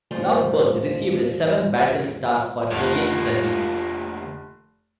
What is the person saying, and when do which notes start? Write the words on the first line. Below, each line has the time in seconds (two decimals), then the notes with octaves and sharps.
"Lofberg" received seven battle stars for Korean service.
0.11 D#2 G#2 F3 G3 A3 C5
2.72 F1 D2 F3 A#3 F4 F7